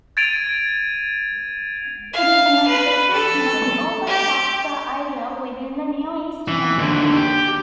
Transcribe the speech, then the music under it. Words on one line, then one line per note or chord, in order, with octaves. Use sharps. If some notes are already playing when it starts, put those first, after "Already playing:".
It is a manifestation of the "open pop star" idea within the Neoist movement.
G#6 A6 D7 D#7 F7
F5
B4
A4
G4
E3
D#2 D3
G4